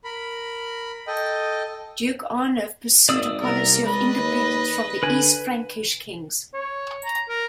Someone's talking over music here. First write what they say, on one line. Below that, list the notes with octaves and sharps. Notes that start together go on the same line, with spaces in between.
Duke Arnulf pursued a policy of independence from the East Frankish kings.
A#4 B5
A4 D#5 G5
G#1 D5 D#6 E6
C2 A#4
G#3 B4 D#5
D#2
D3 B4 G#5
C#5
A#5
A#4